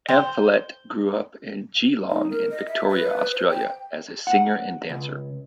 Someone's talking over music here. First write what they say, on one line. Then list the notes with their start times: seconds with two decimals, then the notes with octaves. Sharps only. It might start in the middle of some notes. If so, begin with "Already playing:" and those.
Amphlett grew up in Geelong in Victoria, Australia, as a singer and dancer.
0.09 C5 G5
2.10 D#4
2.30 A#4
2.50 D#5
2.67 E5
2.89 B4
3.32 C5
3.50 G5
4.27 F#5
4.89 C#2